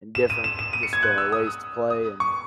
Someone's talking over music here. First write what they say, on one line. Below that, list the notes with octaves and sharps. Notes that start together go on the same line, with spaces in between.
in different just, uh, ways to play and
E7
D#7
E7
E7
D#7
C#7
G#6
F#6
E6
D#6
D#6
C#6